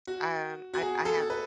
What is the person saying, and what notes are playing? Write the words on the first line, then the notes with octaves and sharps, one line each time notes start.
Um, I I haven't
F#4
F#4
G#4
A4
B4